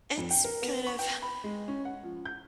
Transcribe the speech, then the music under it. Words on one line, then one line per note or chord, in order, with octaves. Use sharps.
It's kind of
F2
G5
A#4
B3
C#6
G5
B5
G#3
C#4
F#5
F3
G6